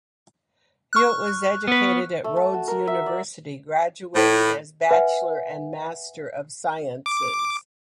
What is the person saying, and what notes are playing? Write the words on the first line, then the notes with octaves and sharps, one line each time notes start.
Hewitt was educated at Rhodes University graduating as Bachelor and Master of Sciences.
C#6 F6 F#6
B3 B4
A3
A5
F#4
A#4
E5
D5
A2
B4 E5 F#5 G#5
D6